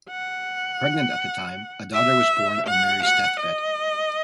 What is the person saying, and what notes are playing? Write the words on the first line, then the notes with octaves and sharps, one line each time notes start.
Pregnant at the time, a daughter was born on Mary's deathbed.
F#5
E5
F#5
F#5
D#5